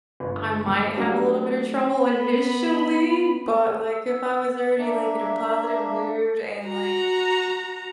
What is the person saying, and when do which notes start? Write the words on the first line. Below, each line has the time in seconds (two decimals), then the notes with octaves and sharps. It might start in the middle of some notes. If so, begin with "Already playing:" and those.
I might have a little bit of trouble initially, but, like, if I was already, like, in a positive mood and, like,
0.20 G1
0.67 A3 E6
0.97 F#3 G3 D4
2.03 B3 B5
3.91 E6
4.79 A#3 D4 E5
6.66 F#4 A#5